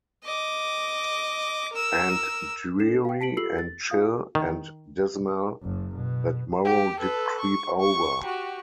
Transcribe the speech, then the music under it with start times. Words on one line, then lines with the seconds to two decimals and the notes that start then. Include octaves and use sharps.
And dreary, and chill, and dismal, that morrow did creep over!
0.24 D#5 D6
1.73 A#4 E6
2.79 D4 A4 C7 E7
3.05 F5 G5
3.21 A5 B6 D7 F#7
3.37 F4 G4 A4 E6 C7 F#7
3.59 A6
3.90 F4 G#4 F5 D#6
4.35 D#3
5.63 F#1 F#2
5.96 B2
6.65 G4
6.99 A4 B4
7.40 C#6
7.80 C#6
8.23 F#4 G4